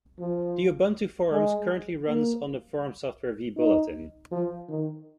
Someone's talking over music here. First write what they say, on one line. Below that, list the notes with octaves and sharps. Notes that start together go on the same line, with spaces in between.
The Ubuntu Forums currently runs on the forum software vBulletin.
F3
G#3
A#3
D#4
F3
D#3